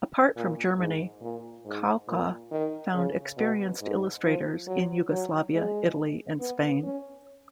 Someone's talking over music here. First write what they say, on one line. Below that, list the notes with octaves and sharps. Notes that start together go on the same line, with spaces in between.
Apart from Germany, Kauka found experienced illustrators in Yugoslavia, Italy and Spain.
A#2
G#2
A#2
G#2
A#2
D#3
C#3
B2
G#2
F3
F#3
F#3
G#3
B3
C#4